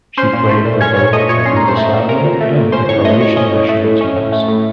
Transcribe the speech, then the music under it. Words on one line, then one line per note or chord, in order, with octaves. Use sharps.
She played for both the Yugoslavian and the Croatian national teams.
C#4 C5 C6
A#2
A3
A#2
C#4 C#5 C#6
A#2 C#5 C#6
A3 D#5 D#6
A#2 C#5 C#6
C#4 C6
A#2 A#5
C5 C6
A3
A#2
C#4 A#4 A#5
A#2
A3
A#2
C#4 C5 C6
A2 C#5 C#6
A3 D#5 D#6
A2 C#5 C#6
C#4 D#5 D#6
A2
A3
A2
C#4
A2
A3
A2